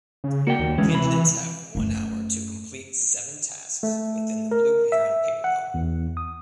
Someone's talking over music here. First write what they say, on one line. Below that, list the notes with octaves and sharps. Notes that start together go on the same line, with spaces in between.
Candidates have one hour to complete seven tasks within the Blue Heron Paper Mill.
C#3
A#3 F#4 D5 G5
D#2
D2 E3 G#3 C#4
C3 B5
F#2 A3
A3
A#4
E5
F#5
E2
D#6